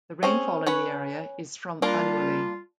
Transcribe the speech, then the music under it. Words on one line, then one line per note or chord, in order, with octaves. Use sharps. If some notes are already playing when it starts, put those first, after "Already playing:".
The rainfall in the area is from annually.
C4 C#4 G#4
C#4 B4 C#5
G3 A#3 D4 F4 A#4